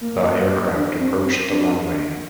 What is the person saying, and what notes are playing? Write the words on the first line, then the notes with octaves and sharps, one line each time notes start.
The aircraft approached the runway.
A#3
D4
C4
C4
D4